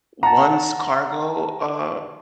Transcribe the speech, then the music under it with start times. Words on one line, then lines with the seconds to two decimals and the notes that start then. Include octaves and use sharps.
once cargo, uh,
0.23 F#5 A5 A#5